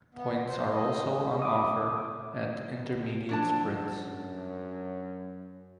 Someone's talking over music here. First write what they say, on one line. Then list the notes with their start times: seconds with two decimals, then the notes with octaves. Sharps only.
Points are also on offer at intermediate sprints.
0.14 B3
0.47 C5
0.70 D#5
1.42 D6 D#6
3.29 F3 F#3 D4 A5
3.96 F#2